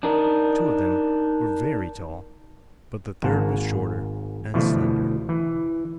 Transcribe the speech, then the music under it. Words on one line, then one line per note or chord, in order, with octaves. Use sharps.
Two of them were very tall, but the third was shorter and slender.
D4 D#4 A#4
G#1 G#2 A#3 A5
D2 B2 E3 F3 A3
E3